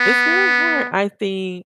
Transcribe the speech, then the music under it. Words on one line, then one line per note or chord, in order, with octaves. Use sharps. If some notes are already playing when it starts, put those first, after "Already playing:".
It's very hard. I think
Already playing: B3